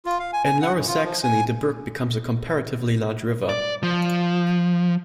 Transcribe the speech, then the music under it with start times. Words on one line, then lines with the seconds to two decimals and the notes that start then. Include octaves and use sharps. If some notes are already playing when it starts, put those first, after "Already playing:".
In Lower Saxony the brook becomes a comparatively large river.
0.06 F4
0.19 F5
0.33 G#5
0.45 G#5
0.62 F#5
0.76 F#2
0.88 F4
1.04 F3
1.23 G#5
3.49 D5
3.83 F3